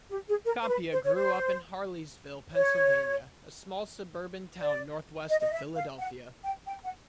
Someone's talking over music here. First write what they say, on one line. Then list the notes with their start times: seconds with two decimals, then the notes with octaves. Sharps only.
Kampia grew up in Harleysville, Pennsylvania, a small suburban town northwest of Philadelphia.
0.11 G4
0.28 G#4
0.45 A#4
0.61 C5
0.68 B4
0.92 C5
1.04 C#5
1.15 C5
2.53 C#5
4.60 D5
5.29 D#5
5.41 D#5
5.53 E5
5.76 F5
5.99 F#5
6.44 G5
6.67 G5
6.84 F#5